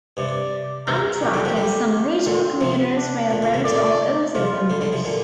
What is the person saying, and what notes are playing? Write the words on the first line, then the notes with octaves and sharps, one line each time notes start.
Amtrak and some regional commuter railroads are also members.
G2 C3 D5
G2 C3 A#4
A#2 G4
D3 G3
F3 A#3
D3 G3
A#2 D3 C4
C3 F3
D4
A#2
A#2 D3
G2 C3
A#2 D3 D5
C3 F3 F4
D3 G3
D3 G3
C3 F3
A#2 D3